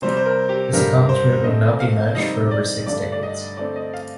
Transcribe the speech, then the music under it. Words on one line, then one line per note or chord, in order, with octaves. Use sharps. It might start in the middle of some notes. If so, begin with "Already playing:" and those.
This accomplishment would not be matched for over six decades.
C3 G3 C4 C5
C5
A#4
G4
G2 D3 G3 A#4
C5
D3 A3 C4 D#5
F5
C3 D#3 G3 C4 D#5
D5
G2 D3 A3 D5
D5
D#5
D3 A3 C4 D5
D#5
F5